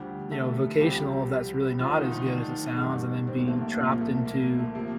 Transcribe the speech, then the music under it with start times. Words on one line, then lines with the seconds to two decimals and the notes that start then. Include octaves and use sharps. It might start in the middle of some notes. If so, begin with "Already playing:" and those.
you know, vocational if that's really not as good as it sounds and then being trapped into
Already playing: D2 D3 F3 G3 G4
0.31 A3 A4
0.81 C2 C3 F3 G3 G4
1.79 D2 D3 F3 F4
1.95 D#3 D#4
2.12 D#3 D#4
2.28 D3 D4
2.77 A1 G2 D#3
3.27 C4
3.37 A#3
3.48 A3
3.58 A#3
3.76 C2 A#2 F3 A#3
4.01 A3
4.25 A#3
4.42 A#3
4.59 A3
4.75 C3 F3 A#3